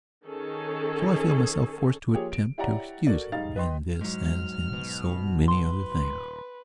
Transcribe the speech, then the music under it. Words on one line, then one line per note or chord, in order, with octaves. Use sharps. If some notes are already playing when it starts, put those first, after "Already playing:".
So I feel myself forced to attempt to excuse him in this as in so many other things.
D#3 C#4 G#4 A4
F3 A#3 F4 G4 G#4 C#5
D7
E4 G4 C#5 D5 F#5 A#5
F#4 A4 A#4 D5
G#2 G3 D#4 F5 A6
B4 D#5 G5 C6
G#2 F#3 F6
B2
B4 C6
D#1